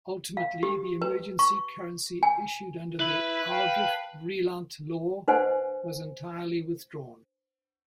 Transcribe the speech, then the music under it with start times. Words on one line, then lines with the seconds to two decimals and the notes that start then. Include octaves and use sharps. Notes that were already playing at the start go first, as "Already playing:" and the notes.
Ultimately the emergency currency issued under the "Aldrich-Vreeland Law" was entirely withdrawn.
0.37 F5
0.63 G4
1.02 B4
1.39 C#6
2.23 G#5
3.00 E4 B4 B5
3.49 F5 G5 A5
5.28 D4 B4 C5 D#5 F#5 G#5